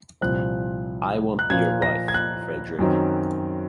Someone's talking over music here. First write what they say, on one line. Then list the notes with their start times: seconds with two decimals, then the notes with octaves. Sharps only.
I won’t be your wife, Frédéric.
0.21 C2 A#2 F3 C4 F#6
1.39 F#6
1.50 A#2 F3 A#3 G#6
1.82 A#6
2.08 G#6
2.14 F#6
2.79 F#2 D#3 F#3 C4